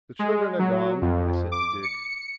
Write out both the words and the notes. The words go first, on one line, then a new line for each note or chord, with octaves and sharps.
"The children are gone," I said to Dick.
G#3
F#3
F2
D6
C#7